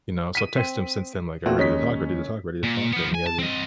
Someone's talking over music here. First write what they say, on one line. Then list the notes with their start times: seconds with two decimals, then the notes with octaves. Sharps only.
you know, so, I've texted him since then, like, "Are you ready to talk? Ready to talk? Ready to talk?" and he hasn't
0.35 B6 D#7
0.58 C4
1.46 A#2 A3 C4 F#4
1.59 D#2 G#3 C#4 D#5 B6
2.63 A#2
2.92 F3 B3
3.14 G#5
3.26 A5
3.39 C4 D#5